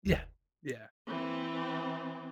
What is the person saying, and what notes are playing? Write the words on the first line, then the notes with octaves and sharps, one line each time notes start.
Yeah, yeah,
E3 C4